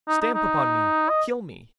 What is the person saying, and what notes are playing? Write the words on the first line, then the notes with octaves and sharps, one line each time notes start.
'Stamp upon me, kill me!
D#4
D#4
D#4
D#5